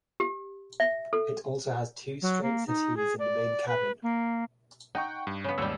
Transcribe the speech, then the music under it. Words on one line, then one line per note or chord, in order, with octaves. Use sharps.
It also has two straight settees in the main cabin.
G4
E5
A4
F#3
A#3
D#4
G#4
D5
B4
A#3
D#4 F#5 G5 C#6
G2
C#3 B3
D#2 G#2 G3 F#4 E6